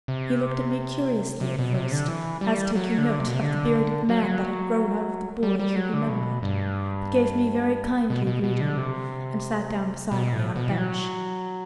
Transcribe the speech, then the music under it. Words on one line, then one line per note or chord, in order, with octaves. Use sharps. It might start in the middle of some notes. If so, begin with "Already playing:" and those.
He looked at me curiously at first, as taking note of the bearded man that had grown out of the boy he remembered, but gave me very kindly greeting, and sat down beside me on a bench.
C3
C3
B2
C3
D3
E3
G3
F#3
D3
C3
B2
C3
D3
F#3
G3
G3
F#3
D3
B2
G2
B2
B2
B2
D3
C3
B2
A2
B2
E3
F#3